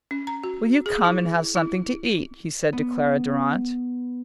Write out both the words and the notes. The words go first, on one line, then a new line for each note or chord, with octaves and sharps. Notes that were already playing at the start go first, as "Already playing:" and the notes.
"Will you come and have something to eat?" he said to Clara Durrant.
C#4
A#5
F#4
G#4
E4
E4
B3